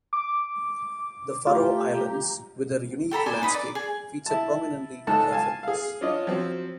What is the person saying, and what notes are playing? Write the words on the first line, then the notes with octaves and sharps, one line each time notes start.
The Faroe Islands, with their unique landscape, feature prominently in her films.
D6
A3 F4 G4 A#5
G4 A4 A#5 B5
C5 D5 G#5
D#4 B4 B5 D#6
D5
G#4
E4 A5
C#2 G#2 A4 A5
F5 G#5 A5
G#4 F5
C#4 D4 F4 D#5
F3 F#3 C4